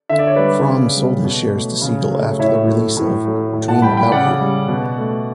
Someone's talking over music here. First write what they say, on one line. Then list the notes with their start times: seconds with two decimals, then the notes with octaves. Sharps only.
Fromm sold his shares to Segal after the release of "Dream About You".
0.09 D3 E5
0.19 D5
0.27 C#5
0.36 G3 B4 D5
0.67 C#3
0.97 G3
1.24 B2
1.53 F#3 A3
1.81 C#3
2.10 F#3 A3
2.39 A2 C#5 E5
2.67 F#3 A3
2.97 A2
3.25 F#3 A3
3.53 A2
3.68 F#5 A5
3.82 G3 G5 B5
3.97 G5 B5
4.11 C#3 D5 F#5
4.41 G3
4.68 B2
4.98 A3